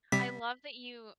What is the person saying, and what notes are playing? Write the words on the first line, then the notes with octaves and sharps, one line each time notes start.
I love that you
C3 G3 B6